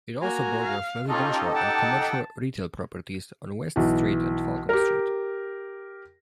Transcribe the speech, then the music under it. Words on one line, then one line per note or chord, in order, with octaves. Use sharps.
It also borders residential and commercial retail properties on West Street and Falcon Street.
A#3 F#4 G#5 A#5
F5
C#4 D#4 F4 G4 A4 D#5
F#5 G5 A5
B1 E3
G4 A#4